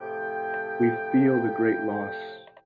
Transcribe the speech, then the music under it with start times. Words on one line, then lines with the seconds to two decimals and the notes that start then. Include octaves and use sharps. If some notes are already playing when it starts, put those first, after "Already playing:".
We feel the great loss.
0.01 A2 C3 F3 G5